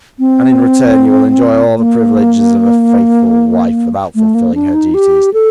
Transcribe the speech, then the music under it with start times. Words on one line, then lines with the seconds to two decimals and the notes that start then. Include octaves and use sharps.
And in return you will enjoy all the privileges of a faithful wife without fulfilling her duties.
0.19 C4
1.77 A#3
4.15 A3
4.35 A#3
4.55 D4
4.74 D#4
4.94 G4
5.34 A4